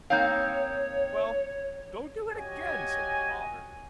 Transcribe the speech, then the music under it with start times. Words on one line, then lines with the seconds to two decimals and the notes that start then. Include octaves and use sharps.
"Well, don't do it again," said the father.
0.10 A#3 C4 D#4 C#5 F5 G6
2.34 F#4 G4 C#5 D#5 G#5